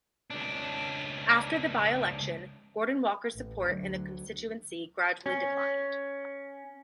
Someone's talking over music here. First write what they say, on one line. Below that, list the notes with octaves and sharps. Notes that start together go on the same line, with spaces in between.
After the by-election, Gordon Walker's support in the constituency gradually declined.
C#2 D4
A1
D2 F#3
C#4